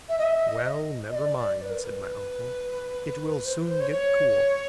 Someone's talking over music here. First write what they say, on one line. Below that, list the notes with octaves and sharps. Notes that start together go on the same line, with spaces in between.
"Well, never mind," said my uncle, "it will soon get cool."
E5
D#5
E5
D#5
D#5
D5
D5
B4
A#4
B4
C5
B4
C5
C#5
C#5